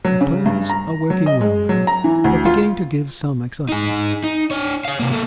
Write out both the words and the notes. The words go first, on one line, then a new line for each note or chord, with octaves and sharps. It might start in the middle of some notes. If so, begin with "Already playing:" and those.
The ponies are working well now, but beginning to give some excitement.
F#3
C#3
G2
A#5
F#3
D#5
G#3
F#3
A#5
E3
D2
F4
D#4 G#4
D#4
D4 C#5
C#5 F5
C3 A#3
A#3 A4